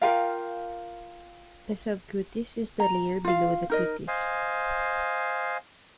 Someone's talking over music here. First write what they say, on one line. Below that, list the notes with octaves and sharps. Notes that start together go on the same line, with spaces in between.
The subcutis is the layer below the cutis.
F4 G4 A#4 F5
A#5
F4 F5
D#4 A#4 D#5
C5 D#5 F5 G#5